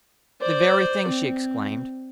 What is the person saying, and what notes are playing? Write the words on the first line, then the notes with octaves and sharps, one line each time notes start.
"The very thing," she exclaimed.
C5 D5
C4